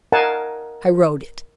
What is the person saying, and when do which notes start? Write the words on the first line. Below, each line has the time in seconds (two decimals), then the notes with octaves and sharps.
I wrote it.
0.12 A#4 D#5 F5 F#5 G#5 A5